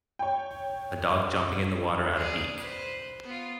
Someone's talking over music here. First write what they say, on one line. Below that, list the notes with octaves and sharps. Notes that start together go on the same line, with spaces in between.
A dog jumping in the water at a beack.
C#5 G5
G#4 D5
B4 C5
B3 F4